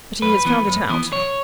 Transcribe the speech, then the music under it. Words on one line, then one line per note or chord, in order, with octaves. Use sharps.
But he has found it out.
F#2 B4
E3 B3
F#2
E3 B3
B1 C#5